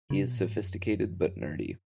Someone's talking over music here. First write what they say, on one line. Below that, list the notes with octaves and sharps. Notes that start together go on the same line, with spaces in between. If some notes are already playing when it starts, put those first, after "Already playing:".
He is sophisticated but nerdy.
C#3
B2
A2
G#2
F#2